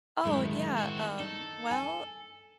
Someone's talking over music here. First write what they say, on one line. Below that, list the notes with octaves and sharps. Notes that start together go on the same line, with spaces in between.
Oh, yeah, um, well,
F#2 A2 D#3 G#3 E4
C4 F#4
D#4 A4
G#5